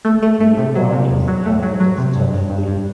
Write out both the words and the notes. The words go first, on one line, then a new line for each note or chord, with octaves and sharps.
Nearby is the hamlet of Turf Lea.
A3
A3
A3
C3
F#3
C3
E2
F#3
A3
F#3
F#3
C3
G2
G2
G2
G2